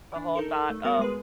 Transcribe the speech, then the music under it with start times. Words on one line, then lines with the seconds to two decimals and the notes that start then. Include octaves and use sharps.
the whole thought of,
0.12 E3 D4
0.35 D#4 A4 A#4
0.70 A3
0.85 G3 B3 F#4 A#4
0.99 G#3 G#4 B4